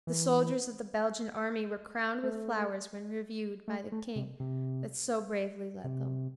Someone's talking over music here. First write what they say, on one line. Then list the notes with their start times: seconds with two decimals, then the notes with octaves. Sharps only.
The soldiers of the Belgian army were crowned with flowers when reviewed by the King that so bravely led them.
0.07 E3
2.23 A3
3.68 A3
3.92 A3
4.16 C3
4.40 C3
5.84 C3